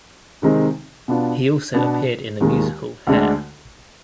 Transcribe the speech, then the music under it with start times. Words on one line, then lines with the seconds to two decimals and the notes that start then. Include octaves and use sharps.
He also appeared in the musical Hair.
0.42 C3 D#3 G#3 C4 D#4
1.08 B2 B3 D4 F4
1.74 B2 B3 D4
2.41 D#2 D#3 G#3
3.07 D2 D3 G#3 D4